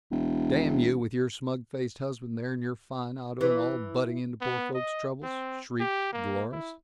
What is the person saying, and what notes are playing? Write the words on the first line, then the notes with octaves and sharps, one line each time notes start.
"Damn you, with your smug-faced husband there, and your fine auto and all, butting into poor folks' troubles!" shrieked Dlorus.
E1
E3
B3
D#5
C4
G4
A#3
E4